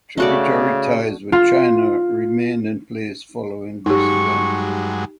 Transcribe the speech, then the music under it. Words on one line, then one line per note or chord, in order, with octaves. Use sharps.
Tributary ties with China remained in place following this event.
C#3 A3 F#4 D5
F4
G2 F#3 G#3 D#4 G4 C#6